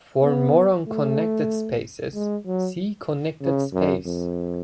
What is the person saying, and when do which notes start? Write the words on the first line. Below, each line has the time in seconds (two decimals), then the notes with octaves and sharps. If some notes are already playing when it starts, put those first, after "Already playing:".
For more on connected spaces, see Connected space.
0.23 B3
0.87 A3
2.14 G#3
2.46 F#3
3.42 C#3
3.73 F#2
4.06 F2